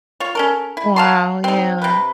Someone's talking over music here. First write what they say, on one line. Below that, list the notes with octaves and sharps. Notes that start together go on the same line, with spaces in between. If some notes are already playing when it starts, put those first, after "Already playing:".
Wow, yeah.
F4 C#5
C#4 A4 A#4
E4
F5 A5 C6
C4 D#4
C3 B4